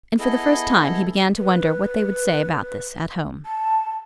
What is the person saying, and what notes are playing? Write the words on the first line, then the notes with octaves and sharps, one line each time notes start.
And for the first time he began to wonder what they would say about this at home.
B3 E4 G#4 A4 D#5
B4
A5